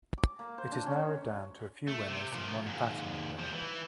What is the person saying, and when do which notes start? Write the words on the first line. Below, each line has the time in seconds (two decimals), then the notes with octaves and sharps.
It is narrowed down to a few winners and one Platinum winner.
0.18 D6
0.39 A#3
0.58 C5
0.72 D4
0.86 C#4
1.88 A3
2.08 C3
2.32 A#2 F3
2.66 D#2 G#2
3.39 F3 G3
3.53 E3